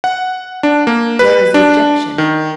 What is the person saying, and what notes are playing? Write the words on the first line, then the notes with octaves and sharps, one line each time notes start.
Where is the objection?
F#5
D4
A#3
B4
D4
D#3